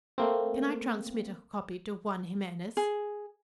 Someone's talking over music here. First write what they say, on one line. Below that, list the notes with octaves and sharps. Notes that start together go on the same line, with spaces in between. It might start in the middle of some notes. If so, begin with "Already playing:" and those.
Can I transmit a copy to Juan Jimenez?
A3 A#3 C4
G#4